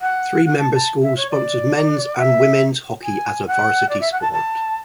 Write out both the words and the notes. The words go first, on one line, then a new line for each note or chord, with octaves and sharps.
Three member schools sponsor men's and women's hockey as a varsity sport.
F#5
F#5
A5
A5
E5
C#5
D5
E5
G#5
F#5
D5
E5
F#5
A5
A5